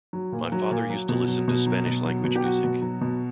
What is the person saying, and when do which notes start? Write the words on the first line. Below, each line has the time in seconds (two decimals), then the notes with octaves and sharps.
My father used to listen to Spanish-language music.
0.13 F#3
0.32 A#2
0.52 F#3
0.71 A#2
0.90 F#3
1.09 B2
1.28 F#3
1.48 B2
1.67 F#3
1.86 B2
2.05 F#3
2.24 B2
2.36 G4
2.44 F#3 F#4
2.64 B2
2.82 F#3
3.01 B2